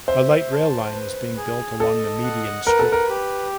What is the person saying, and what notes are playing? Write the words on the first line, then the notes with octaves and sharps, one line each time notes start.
A light rail line is being built along the median strip.
C5 E5
A5
B4
G#4
A4 D#5
F#5
A#4 B4
A4
A#4
G4